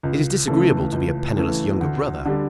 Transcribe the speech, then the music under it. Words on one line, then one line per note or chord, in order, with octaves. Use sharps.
It is disagreeable to be a penniless younger brother.
C#2
C#3 E3 A3
C#2
C#3 E3 A3
D2
D3 G3